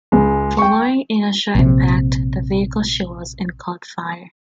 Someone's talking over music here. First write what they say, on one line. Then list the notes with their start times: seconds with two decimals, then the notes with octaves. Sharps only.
Following initial impact the vehicle she was in caught fire.
0.12 C#2 G#3
0.58 G5 C#6
1.55 A#1 C3